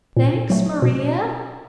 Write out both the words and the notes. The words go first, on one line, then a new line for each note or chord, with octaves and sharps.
"Thanks, Maria."
A#2
F#3 A3
B2